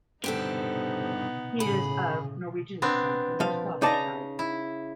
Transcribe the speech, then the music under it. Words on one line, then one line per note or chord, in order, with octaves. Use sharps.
He is of Norwegian descent from his father's side.
G2 D3 B3 C4 D#4 G4 A4
A2 C#3 G#4 B5
B3 C4 D4
F3 F5
C#3 D#4 D5 A5 A#5
E4